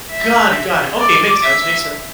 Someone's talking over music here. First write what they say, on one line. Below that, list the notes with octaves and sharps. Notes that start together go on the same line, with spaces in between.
Got it, got it, okay. Makes sense, makes sense,
E5
D5
E5